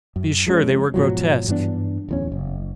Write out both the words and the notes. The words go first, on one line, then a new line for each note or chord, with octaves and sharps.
Be sure they were grotesque.
F#2
F3 G#3 B3 C#4
G#2 B2 F3 F#3
G2 E3 B3 D4
D1 E2 C#4
F#1